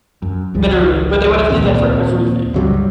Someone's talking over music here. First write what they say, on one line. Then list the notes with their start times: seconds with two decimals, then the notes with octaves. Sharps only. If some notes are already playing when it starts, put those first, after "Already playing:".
Literally, but they would have did that for everything.
0.22 F#2
0.54 G#1 C#2 F3
1.49 D#2 A#2 C4
2.54 G1 C#2 C3 F#3 G3